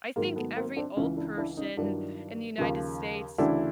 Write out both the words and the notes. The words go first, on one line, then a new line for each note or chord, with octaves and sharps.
I think every old person in the United States
G#2 D#3 F#3 G#3 A#3
A3 B3
A#3 C4
C4 D4
C#2 C#3 E3 C#4 D#4
D4 E4
D4 E4
C#4 D#4
G2 D#3 F#3 D4 E4
D#2 C#3 F3
D2 C#3 E3 D4 E4